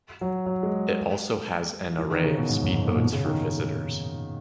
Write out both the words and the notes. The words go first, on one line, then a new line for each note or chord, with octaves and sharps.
It also has an array of speed boats for visitors.
F#3
F#3
G#3
E3
D#3
C#3
B2
G#2
F#2
G#2
B2
A#2
B2
C#3
D#3